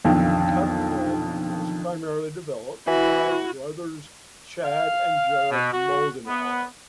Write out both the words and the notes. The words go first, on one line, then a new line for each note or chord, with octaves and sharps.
Cuphead was primarily developed by brothers Chad and Jared Moldenhauer.
B1 F2 D3 D#3
E3 E4 F#4
F5
B2
F#4
B3